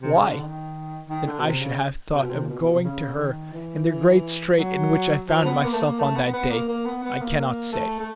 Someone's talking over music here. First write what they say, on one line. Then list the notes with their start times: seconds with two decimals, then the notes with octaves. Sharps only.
Why, then, I should have thought of going to her in the great strait in which I found myself on that day, I cannot say.
0.02 C3
0.15 C#3
0.27 D3
0.40 D#3
1.09 D#3
1.27 D3
1.39 B2
1.45 C3
1.62 C#3
2.14 C3
2.22 B2
2.30 C3
2.42 A#2
2.49 B2
2.61 B2
2.73 C3
2.84 C#3
3.19 D#3
3.53 E3
3.89 E3
4.58 F#3
5.29 F3
5.46 B3
5.64 A#3
5.73 A3
5.81 A#3
5.99 A3
6.16 B3
6.33 B3
6.50 A#3
6.68 A#3
6.85 B3
7.04 B3
7.21 A#3
7.38 A#3
7.73 A3
8.00 A3